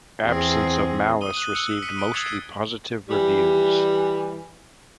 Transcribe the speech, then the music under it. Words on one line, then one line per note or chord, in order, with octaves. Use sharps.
"Absence of Malice" received mostly positive reviews.
E2 C4 G#4
D#6 D#7 G7
D#6 F#6 D#7 F#7
E6 C#7
B6 C#7 D#7
D7 G7
G#6 A6 C7 C#7
E3 G3